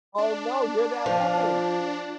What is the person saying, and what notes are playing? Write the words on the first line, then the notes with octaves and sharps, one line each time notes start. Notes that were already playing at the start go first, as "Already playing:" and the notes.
Oh, no, you're that one!
D4
F3